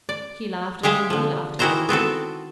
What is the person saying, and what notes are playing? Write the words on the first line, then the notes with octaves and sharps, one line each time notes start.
She laughed and then he laughed.
D5
G#3 G4 G#4 E5 F5
D3 F3
D#3 E3 E4 F#4 C5 A#5
B3 C4 F#4 A4